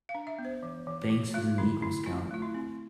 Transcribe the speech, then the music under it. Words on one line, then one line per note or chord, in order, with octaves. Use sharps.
Banks is an Eagle Scout.
F5
D4
E5
B3
C5
E3
E3
E3
A3 F4
D3 E4
D3 E4
C4 F4
A3 F4
E4
C4